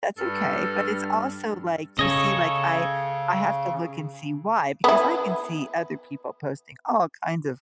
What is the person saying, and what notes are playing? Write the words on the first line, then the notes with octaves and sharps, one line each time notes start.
that's okay, but it's also like you see, like, I I have to look and see why because I can see other people posting all kinds of
G2 A4 F6
C#3 A4 C#5 D#5
B3 E4